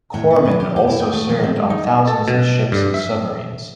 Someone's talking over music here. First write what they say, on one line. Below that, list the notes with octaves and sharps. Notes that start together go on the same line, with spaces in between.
Corpsmen also served on thousands of ships and submarines.
A2
B3
B4
G4
G4
E4
G5
A3
F3
C4
G#3
D#4
A4
B2
G2
E5